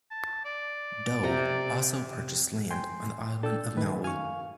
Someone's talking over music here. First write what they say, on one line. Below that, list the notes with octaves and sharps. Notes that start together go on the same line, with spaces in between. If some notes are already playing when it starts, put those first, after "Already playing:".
Dole also purchased land on the island of Maui.
A5
D5
C3 A#5
G5 G#5 C6
D4 A4 G5 E6
F#2 D#3 B4
F5 G#5 C#6